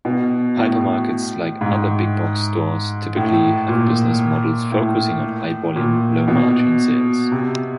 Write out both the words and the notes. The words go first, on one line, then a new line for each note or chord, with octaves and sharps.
Hypermarkets, like other big-box stores, typically have business models focusing on high-volume, low-margin sales.
B2
A2
G#2
A2
A#2
A2
A#2
B2
C3